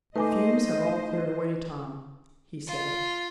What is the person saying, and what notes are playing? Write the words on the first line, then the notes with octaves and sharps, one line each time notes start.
"The fumes have all cleared away, Tom," he said.
A3 D#4 B4 C5 D#5 G#5 D6
F4